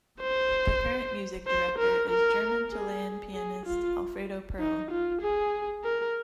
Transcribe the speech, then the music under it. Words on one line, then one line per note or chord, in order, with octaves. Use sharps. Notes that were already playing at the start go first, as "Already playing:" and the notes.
The current music director is German-Chilean pianist Alfredo Perl.
C5
C5
A#4
A#4
G#4
G#4
F4
D#4
F4
G#4
A#4